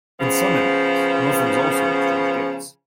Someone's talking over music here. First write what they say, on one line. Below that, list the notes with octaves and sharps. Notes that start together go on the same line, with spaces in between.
In some areas Muslims also exchange gifts.
C#3 F3 B3